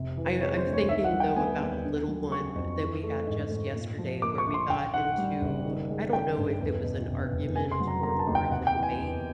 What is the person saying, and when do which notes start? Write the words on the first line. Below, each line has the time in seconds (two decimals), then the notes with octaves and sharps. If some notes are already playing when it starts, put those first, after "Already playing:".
I'm I'm thinking, though, about a little one that we had just yesterday where we got into I don't know if it was an argument or more of a debate,
Already playing: F1 C3
0.17 E3
0.41 G#3 C#5
0.57 C5
0.65 D2
0.73 C#5
0.88 D#3 E5
1.04 F#5
1.12 G3
1.20 G5
1.36 B3 G#5
1.60 D#2
1.85 D3
2.08 F#3
2.32 A#3 C#6
2.55 F2
2.79 E3
3.03 A3
3.27 G#2
3.51 G#2
3.75 A#2
3.99 F3
4.22 A#3 D6
4.38 C#6
4.46 A#1
4.54 C6
4.70 F#2 G5
4.94 D#3 F#5
5.17 G3
5.41 F#1
5.65 D#3
5.89 G#3
6.13 C#4 G5
6.37 G2
6.61 E2
6.84 B2
7.08 F1
7.32 F1
7.56 C#3 G#5
7.72 C6
7.80 F#3
7.88 A#5
8.03 A#3 A#5
8.19 A5
8.27 D#2
8.35 G5
8.51 C3 F#5
8.67 G5
8.75 E3
8.83 G#5
8.99 E2